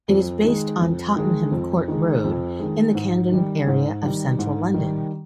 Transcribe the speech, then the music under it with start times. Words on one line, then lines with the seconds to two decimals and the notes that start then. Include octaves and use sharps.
It is based on Tottenham Court Road in the Camden area of Central London.
0.08 F2
0.44 D#3 G#3
0.81 F2
1.16 D#3 G#3
1.51 F2
1.88 D#3 G#3
2.24 F2
2.59 D#3 G#3
2.95 G#2
3.31 D#3 G3
3.67 G#2
4.02 D#3 G3
4.39 G#2
4.74 D#3 G3